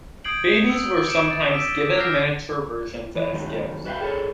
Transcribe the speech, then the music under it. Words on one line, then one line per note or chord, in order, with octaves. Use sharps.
Babies were sometimes given miniature versions as gifts.
D#6 G6 G#6 C7 D7 F#7
E6
D6 G#6 C#7 D7 E7
A6
D6 E6 B6 D7 D#7
E6 F6 G6 A#6 C7 D7
E3
G2 D#3 F#3
F#4 B4 E5 F5 G5
G#4 A4 C#5